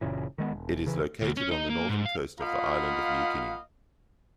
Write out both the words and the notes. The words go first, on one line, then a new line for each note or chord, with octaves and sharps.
It is located on the northern coast of the island of New Guinea.
F#1 A#2 C#3 E3
D#3 G#3 A3 B3
E1
C#3 E3
D2
C#4
D#4
A#3
G#2
F5
A#3 F4 D#5 F5 F#5 B5